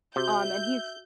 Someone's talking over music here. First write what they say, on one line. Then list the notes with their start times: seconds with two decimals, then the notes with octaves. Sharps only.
um, and he's
0.16 C3 F#4 E5 G6